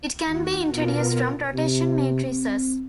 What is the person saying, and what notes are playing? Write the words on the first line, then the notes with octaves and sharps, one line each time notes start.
It can be introduced from rotation matrices.
D#2 F#4
B2 B3 F4 A#4
C3
C4